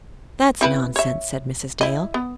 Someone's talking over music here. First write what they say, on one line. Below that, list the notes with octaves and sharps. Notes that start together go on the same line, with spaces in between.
"That's nonsense," said Mrs. Dale.
C4 E4 B4
C#5 E5
E4 D#5
B3